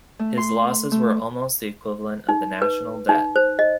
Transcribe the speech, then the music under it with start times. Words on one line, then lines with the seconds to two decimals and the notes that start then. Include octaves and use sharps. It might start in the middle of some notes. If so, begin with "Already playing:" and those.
His losses were almost the equivalent of the national debt.
0.19 A3
0.37 C6
0.92 A3
2.29 D#4
2.62 B4
3.09 D#4
3.36 C5
3.59 D#5